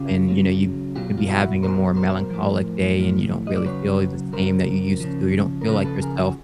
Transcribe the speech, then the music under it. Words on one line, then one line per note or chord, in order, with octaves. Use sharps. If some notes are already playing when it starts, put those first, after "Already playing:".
when, you know, you could be having a more melancholic day and you don't really feel the same that you used to, or you don't feel like yourself,
Already playing: C#3 F4 G4
C#3 F#3
B2 F#3 F4 G4
F4
E4 F#4
B2 F#3 A#4 C5
A#4 C5
A2 F3
A2 F3
D#5
D5
C#3 F#3 B4 C#5
C#3 F#3 A#4 C5
C#3 F3
A#4
C#3 F3 A4 B4
A4 B4
G#4 A#4
F#4 G#4